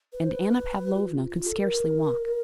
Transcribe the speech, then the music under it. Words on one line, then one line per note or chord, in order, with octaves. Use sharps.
And Anna Pavlovna could scarcely walk....
B4
C5
B4
F#4
F4
F4
A4
A#4